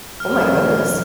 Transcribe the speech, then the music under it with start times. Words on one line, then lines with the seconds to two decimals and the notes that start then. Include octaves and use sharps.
Oh, my goodness.
0.20 E2 B2 F#3 F6